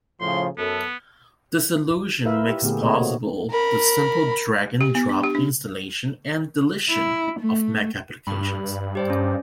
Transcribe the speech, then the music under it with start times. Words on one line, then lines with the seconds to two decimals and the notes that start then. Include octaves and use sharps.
This illusion makes possible the simple drag-and-drop installation and deletion of Mac applications.
0.21 A2 C#3 F3 C6
0.58 F#2 B3 A4
2.25 E4 F4 A#4 B4 E5 F5
2.49 G4
2.62 A#2 D3 A3 B3 G4 G#4
2.82 A3 A#3 C4 G#4 C#5 D#5
3.00 F#4
3.50 A#4 B5
4.81 G4
4.95 B3
5.09 D4
5.24 G4
5.35 D4
6.91 E4
7.40 A3
8.27 G2 B5
8.95 G4 C5 D5
9.10 C#4